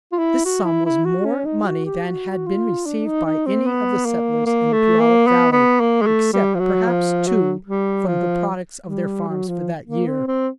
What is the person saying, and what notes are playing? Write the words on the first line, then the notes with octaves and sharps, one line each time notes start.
This sum was more money than had been received by any of the settlers in the Puyallup valley, except perhaps two, from the products of their farms for that year.
F4
E4
F#4
E4
E4
F#4
C#4
D#4
F#4
G4
F#4
F4
D4
D#4
D#4
C4
B3
A#3
A#3
A3
A#3
B3
B3
A#3
G#3
A3
G3
F3
F#3
F3
F#3
G3
F3
G3
F#3
F3
A#3
C4
C4